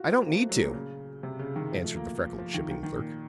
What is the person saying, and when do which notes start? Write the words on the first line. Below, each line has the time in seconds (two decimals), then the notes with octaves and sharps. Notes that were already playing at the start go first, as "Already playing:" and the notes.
"I don't need to," answered the freckled shipping clerk.
Already playing: F4 F#4
0.08 C4
0.24 A#3
0.37 A3
0.49 F#3
0.62 A#2
0.74 C#3
1.23 C3
1.39 C#3
1.56 D#3
1.72 F3
1.84 A3
1.96 A#3
2.21 F3
2.38 F3
2.54 D#3
2.71 D#3
2.83 D#3
2.96 A#2